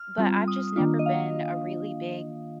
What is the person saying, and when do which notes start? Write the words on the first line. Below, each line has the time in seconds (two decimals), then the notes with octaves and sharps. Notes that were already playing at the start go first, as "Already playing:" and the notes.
But I've just never been a really big
Already playing: F6
0.18 G3 C4 F4
0.48 D#6
0.76 D#3 A#3 D4 F4
0.99 D#5
1.06 F5